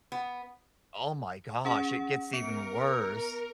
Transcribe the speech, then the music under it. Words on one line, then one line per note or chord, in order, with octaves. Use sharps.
oh, my gosh, it gets even worse.
B3
C#4 G#4 F#5
B3 A#4 C#7 D7